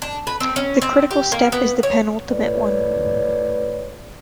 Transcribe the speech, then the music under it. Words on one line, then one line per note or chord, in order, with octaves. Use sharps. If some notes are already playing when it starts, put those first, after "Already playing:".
The critical step is the penultimate one.
D4
B4
C4
C#4
C4
G4
A#3
B3
C#5
A2 B4 C#5 D5